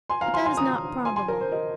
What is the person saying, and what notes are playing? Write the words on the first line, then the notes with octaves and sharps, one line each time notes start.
But that is not probable.
G#5 C6
F5 A#5
G#5 C6
G#5 C6
A#5 D#6
G#5 C6
G#5 C6
A#4
C5
A#4 D#5